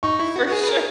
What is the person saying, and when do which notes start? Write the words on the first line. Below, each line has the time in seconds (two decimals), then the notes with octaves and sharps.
For sure.
0.03 D#4 C#6
0.20 E4
0.36 F#4
0.48 F#4
0.52 G#4
0.63 B4
0.68 A#4